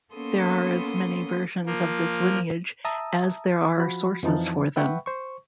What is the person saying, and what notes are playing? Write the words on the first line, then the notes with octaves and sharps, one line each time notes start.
There are as many versions of this lineage as there are sources for them.
A#3 B3 C#4 A4 C6 D#6
F3 A#3
E5 A5 A#5 D#6 E6
F3 F#4 B5
F2 E3 F3 D#4 A5
B4 E5 F#5 G5 B5 C#6
C5 C#6